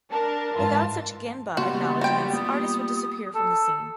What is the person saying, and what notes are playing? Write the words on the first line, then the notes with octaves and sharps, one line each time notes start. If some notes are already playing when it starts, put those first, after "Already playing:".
Without such "genba" acknowledgments, artists would disappear from the scene.
D4 A#4 A5
G#2 E3 F4 A5
C#3 G3 A#3 B3 F#4 B5 C6
F#4 G5
A#3 F4 G4 D#6
A4